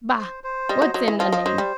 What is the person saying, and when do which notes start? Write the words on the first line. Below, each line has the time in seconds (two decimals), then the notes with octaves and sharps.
Bah! what's in a name?
0.18 C5
0.44 C5
0.69 G3 D#5
0.82 F#3
0.94 F#3 D#5
1.08 E3
1.20 F3 D#5
1.32 F3
1.45 F#3 C5
1.58 G3